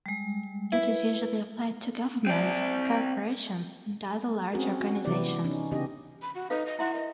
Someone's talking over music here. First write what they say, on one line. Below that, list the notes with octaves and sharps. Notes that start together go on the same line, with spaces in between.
It is usually applied to governments, corporations, and other large organizations.
G3 G#3
E4 B4
C4 D5
C4 C#4 F#4 G#4 A#4
F#4
C3 E3 B3 E4 G4 D5
C#4 D#4
C#3 B3 D4 D#4 G4 D#5
B5
F#4
D#4 A4 B4 F5
D#5
E4 E5 F#5 C6
A#4 D#5